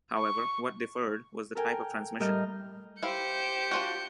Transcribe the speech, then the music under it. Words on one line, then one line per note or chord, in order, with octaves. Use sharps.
However, what differed was the type of transmission.
C#6
A4 A#4 G5 G#5
A2 G3 A#4 D#5 F6 G6
E4 G4 C5 F5 G6 C#7
D4 F4 F#4